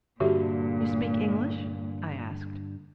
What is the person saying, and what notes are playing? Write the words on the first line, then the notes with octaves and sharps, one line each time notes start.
"You speak English?" I asked.
G2 A#2 D3 F#4 G4 E5